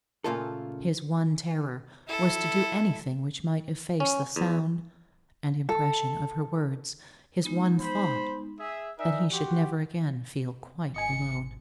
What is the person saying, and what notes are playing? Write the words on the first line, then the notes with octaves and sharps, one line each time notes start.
His one terror was to do anything which might efface the sound and impression of her words; his one thought, that he should never again feel quite alone.
A#2 C#3 A3 A#3 F4 A4
E4 A4
C#4
E2
A4
G#3 B3 D#4
C5 B5
G#4 E5
D#4 A#4 D5 E5 G#5
F#4 G4 F#5 C6
G#1 D#5 G#5 C#7